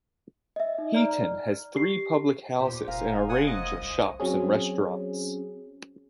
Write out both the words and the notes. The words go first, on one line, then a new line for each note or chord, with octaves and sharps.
Heaton has three public houses and a range of shops and restaurants.
D#5 E5
D#4
D5 A#5 F6
G4 C7
D#2 A#2 B3 G4 C5
F1 A#4 F5 G#5 A#5
C5 F#5 G#5 D#6
F#2 G3 D#5 D#6
C2
F#3 C4 C#4 G#4